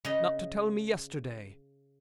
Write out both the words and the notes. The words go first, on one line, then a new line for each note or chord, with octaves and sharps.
Not to tell me yesterday!
C#3 D#5